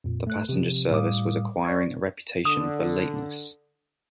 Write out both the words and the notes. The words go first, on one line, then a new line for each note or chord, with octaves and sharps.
The passenger service was acquiring a reputation for lateness.
F2 A#2
A3 F#6
C3 F3
A2 G3 F5 D6 D#6
D5 C#6 G#6
D3 D#6